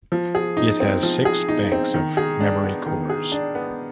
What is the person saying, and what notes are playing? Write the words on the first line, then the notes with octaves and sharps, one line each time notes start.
It has six banks of memory cores.
F3
G#4
D#4
C4
F3
G#4
D#4
C4
D#3
G#4
D4
B3
D#3
G#4
D4
B3